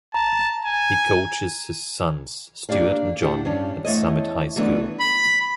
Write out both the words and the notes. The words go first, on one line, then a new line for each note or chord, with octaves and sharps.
He coaches his sons, Stuart and John, at Summit High School.
A5 A#5
G#5
A#3 D4 G4 D5 F5
A2 D4 G4 F#5
G2 C#4 D4
E2 A3 C#5 D#5
D#3 E3 F#3 A3 B3 D4
B5